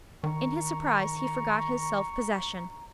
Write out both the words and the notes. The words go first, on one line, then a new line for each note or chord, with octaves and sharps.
In his surprise he forgot his self-possession.
D#3 A#5 C#6